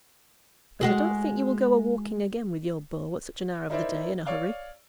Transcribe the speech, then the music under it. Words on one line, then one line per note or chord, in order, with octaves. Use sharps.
But I don't think you will go a-walking again with your beau, at such an hour of the day, in a hurry.
G#3 F#4 G#4
D#4 E4 A#4 C5 D5 E5
C#5 D5 F5